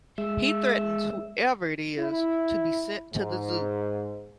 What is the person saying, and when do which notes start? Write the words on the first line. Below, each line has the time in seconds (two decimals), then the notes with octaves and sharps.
He threatens whoever it is to be sent to the zoo.
0.18 G#3 E5
1.99 E4
3.14 G#2